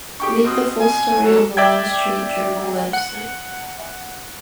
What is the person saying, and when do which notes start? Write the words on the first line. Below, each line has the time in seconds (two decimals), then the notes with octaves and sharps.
Read the full story on the Wall Street Journal website.
0.20 G4 G5 C#6
0.44 B2 C4 D#6
0.80 G#5
1.24 F#3 A4
1.57 D5 E5 G5 G#6
2.93 F#5